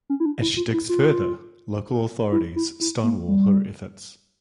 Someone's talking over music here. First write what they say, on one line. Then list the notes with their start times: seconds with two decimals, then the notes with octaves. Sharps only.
As she digs further, local authorities stonewall her efforts.
0.10 C#4
0.20 E4
0.26 D4
0.41 E4
0.57 F4
0.73 E4
0.89 F4
2.32 E4
2.56 E4
2.81 E4
3.04 A#3
3.28 G3